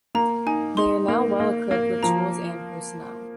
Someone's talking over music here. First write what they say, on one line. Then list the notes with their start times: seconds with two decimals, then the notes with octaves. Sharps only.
They are now well equipped with tools and personnel.
0.15 A#3 A#5
0.46 D#4 G#5
0.77 D#4 C6
1.08 A#3
1.40 A#3
1.71 A#3
2.03 F3 A#5